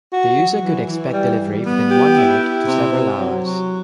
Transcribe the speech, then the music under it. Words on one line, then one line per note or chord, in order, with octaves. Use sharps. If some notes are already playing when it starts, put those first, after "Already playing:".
The user could expect delivery within one minute to several hours.
F#4
F#3
E3
E3
G3
G3
B3
G4
E4
E4
C3
C3
F#3
F#3